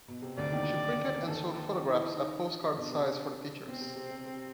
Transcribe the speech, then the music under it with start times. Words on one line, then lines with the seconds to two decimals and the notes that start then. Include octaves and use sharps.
She printed and sold photographs at postcard size for the teachers.
0.08 B2
0.22 C3
0.37 D2 D3 D5
0.52 D#2 D#3
1.23 D3
1.27 D#2 D#3 A4
1.87 E4
2.17 D#4
2.47 D4
2.62 C3
2.76 B2
2.92 C3
3.66 B2 C4
3.81 C3
3.96 C3
4.11 C3
4.26 C3